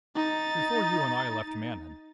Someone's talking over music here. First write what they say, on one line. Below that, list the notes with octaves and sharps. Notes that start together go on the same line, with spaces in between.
Before you and I left Manon.
D#4 A6